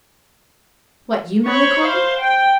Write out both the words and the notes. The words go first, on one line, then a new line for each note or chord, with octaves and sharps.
"What, you, Malicorne?"
C5 C#5 B5 C#6
C5 F5
G5